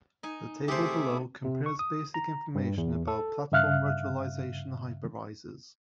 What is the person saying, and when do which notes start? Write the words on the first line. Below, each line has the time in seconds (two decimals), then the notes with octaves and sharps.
The table below compares basic information about platform virtualization hypervisors.
0.23 D#4 G#5
0.68 C3 A3 G4 G#4 C5 E5 D6
1.44 C3
1.66 C#6
1.79 D#6
2.14 A#5
2.55 G2
2.78 E2
3.08 A4
3.52 G2 C#3 E5 F5 F6 F#6